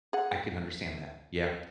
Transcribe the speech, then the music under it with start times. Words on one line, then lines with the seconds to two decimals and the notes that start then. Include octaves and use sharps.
I can understand that. Yeah.
0.13 G#4 F#5